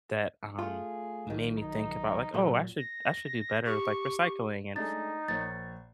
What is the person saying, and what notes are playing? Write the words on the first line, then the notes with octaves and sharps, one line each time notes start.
that, um, made me think about, like, "Oh, I should I should do better with, like, recycling, and
A3 F4 G#4
B1 D#3
D#4
A#2 F#3 A3
A#6
G4 C#6
G#3 A3 D4 D#4 A6
A#1 A#4 C#5 A6